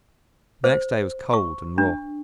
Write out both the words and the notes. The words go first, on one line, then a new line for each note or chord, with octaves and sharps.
The next day was cold and raw.
C5
C#6
D4